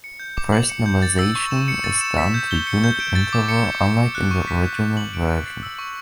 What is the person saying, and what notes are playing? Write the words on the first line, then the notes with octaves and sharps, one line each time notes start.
First normalization is done to unit interval unlike in the original version.
C#7
G6
D6
F#7
C#7
G6
A6
E6
C#6
E7
C#7
A6
E7
B6
G6
G7
C#7
G6
D7
A6
D6
C#7
G6
D6
C#7
F#6
C#6
B6
G6
C#6
F#7
D7
A6
A6
E6
C#6